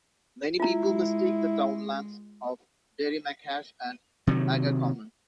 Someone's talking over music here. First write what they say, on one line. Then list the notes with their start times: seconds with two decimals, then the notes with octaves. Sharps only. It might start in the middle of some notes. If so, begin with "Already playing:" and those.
Many people mistake the townlands of Derrymacash and Aghacommon.
0.60 G#3 E4 F4 A#5
4.27 C3 D#3 F3 F#3